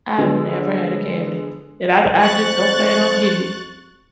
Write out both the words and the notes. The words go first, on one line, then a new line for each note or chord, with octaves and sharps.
I've never had a cavity, and I d I just don't plan on getting it.
D3 G#3 B3
F2 C5 C#6 F#6 A6